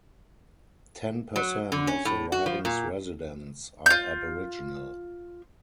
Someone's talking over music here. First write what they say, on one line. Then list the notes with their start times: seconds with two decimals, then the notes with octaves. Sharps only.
Ten per cent of the riding's residents are aboriginal.
1.36 F#3
1.72 D3
1.87 C#4
2.05 A2
2.32 F#4
2.46 F3
2.65 A#2
3.86 F4 G6